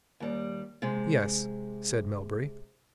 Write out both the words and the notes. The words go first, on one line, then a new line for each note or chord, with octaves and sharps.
"Yes," said Melbury.
D#2 G3
C3 G#3